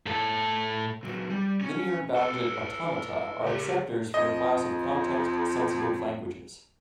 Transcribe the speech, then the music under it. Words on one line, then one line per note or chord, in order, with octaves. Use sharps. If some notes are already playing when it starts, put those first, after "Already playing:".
Linear bounded automata are acceptors for the class of context-sensitive languages.
A2 A4
A#2 F#3
G3
C#4
A4 B4
C#2 G4
F2 D#5